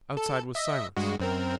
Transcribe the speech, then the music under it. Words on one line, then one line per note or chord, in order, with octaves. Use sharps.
Outside was silence.
A4
D#5 E5
G2 G#3 F#4
F#2 C4 A#4